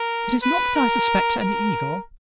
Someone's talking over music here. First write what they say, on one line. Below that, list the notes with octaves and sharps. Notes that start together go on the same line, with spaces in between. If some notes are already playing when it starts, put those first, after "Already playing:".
It is not that I suspect any evil.
Already playing: A#4
B4
A#4
A#4